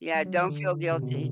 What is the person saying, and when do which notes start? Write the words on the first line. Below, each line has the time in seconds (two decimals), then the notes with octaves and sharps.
Yeah, don't feel guilty.
0.15 G3
0.26 F#3
0.37 E3
0.49 D3
0.91 C3
1.02 B2
1.14 D3